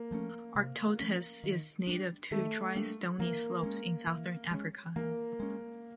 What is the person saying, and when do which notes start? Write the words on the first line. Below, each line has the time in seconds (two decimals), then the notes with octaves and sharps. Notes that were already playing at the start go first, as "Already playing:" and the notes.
"Arctotis" is native to dry stony slopes in southern Africa.
Already playing: A#3
0.11 F3 A3 C#4
0.55 C3
1.00 F3 A3 C#4
1.44 D#3
1.87 G3 A#3 D4
2.31 D#3 A3
2.76 G3 A#3 D4
3.19 E3 A#3
3.63 G#3 C#4
4.07 E3
4.51 G#3 C#4
4.96 E3 A#3
5.40 G#3 C#4